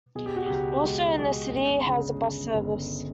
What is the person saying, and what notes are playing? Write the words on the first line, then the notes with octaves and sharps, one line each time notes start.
Also in the city has a bus service.
B2 G#4
G4
F#4
C#2 G4
G#3
G#3
G1
C#3
C#3
G1